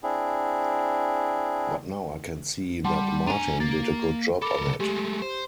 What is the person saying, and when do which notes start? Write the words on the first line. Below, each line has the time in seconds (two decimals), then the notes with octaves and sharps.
But now I can see that Martin did a good job on it ...
0.03 C4 D4 E4 G#4
2.84 G3 F#5 A5 C6
3.27 D4 G#5 A#5 D#7 F7
3.60 A#3 A6
4.42 A4 A#4 B5 D6
4.80 G#3 A3 G4
5.22 C5